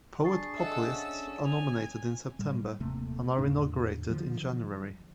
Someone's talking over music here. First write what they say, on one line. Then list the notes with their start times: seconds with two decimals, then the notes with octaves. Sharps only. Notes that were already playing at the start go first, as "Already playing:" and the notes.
Poet Populists are nominated in September and are inaugurated in January.
0.24 D4 G#4 A5 C#6 A6 C7
0.57 A4 D#5 E5 F#5 E6
0.94 C#4
1.45 G#5 F7
2.39 A2 G3
2.80 D#1 C3 A3 A#3
3.38 E2 A2 D3 D4
4.09 D3 D#3 F3 F#3